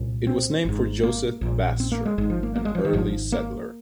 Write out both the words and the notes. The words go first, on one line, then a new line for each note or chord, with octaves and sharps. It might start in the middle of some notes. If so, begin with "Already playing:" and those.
It was named for Joseph Baschor, an early settler.
Already playing: C2 A#2
C4
G#1 G#2
A#3
A#1 A#2
C4
A#3
G#3
G#1 G#2 G#3
F3
A#3
A#3
G#3
F3
D#3
G#1 G#2 F3
A#3